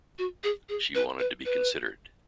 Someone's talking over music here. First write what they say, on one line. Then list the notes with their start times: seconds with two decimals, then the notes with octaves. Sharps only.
She wanted to be considered.
0.18 F#4
0.44 G#4
0.69 G#4
0.95 B4
1.19 B4
1.45 B4